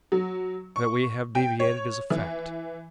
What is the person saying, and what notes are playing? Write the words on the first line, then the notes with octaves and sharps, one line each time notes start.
That we have deviated is a fact.
F#3
C#6
G5
C#5
E3